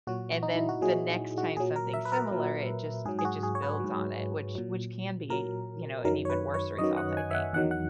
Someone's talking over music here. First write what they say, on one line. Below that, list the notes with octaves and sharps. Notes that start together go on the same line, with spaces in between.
and then the next time something similar, it just it just builds on it, which which can be, you know, an even worse result, I think.
A#2 F#3 F#4
D#4
E4
F#4
A#2 F#3 G#4
F#4
A#2 F#3 G#4
A#4
E5
B4
A#4
A#2 F#3
G#2 F#3 G#4
G#4
F#4
G#4
C#5
B4
G#2 F#3
A#2 F#3
A#2 F#3 A#4
F#2 D#3 F#3 A#4
C#5
B4
C#5
F#2 D#3 F#3 D#5
F#5
G#5
E5
F#5
E2 D#3 F#3 F#5
F#5